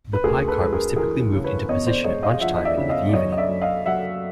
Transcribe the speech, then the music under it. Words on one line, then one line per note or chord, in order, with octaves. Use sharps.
The pie-cart was typically moved into position at lunch time and in the evening.
B4
D2 G#4 A#4
A4 B4
G#3
G#4 A#4
E3 G#4 A#4
C#3
B4 C#5
E2 C#5 D#5
C5 D5
G#3 C#5 D#5
D#5 F5
F3 E5 F#5
D#5
D5 E5
C#3
D#5 F5
D5
F#2 C#5 D#5
D#5
D5 E5
F#2
D#5 F5
F#3 E5 F#5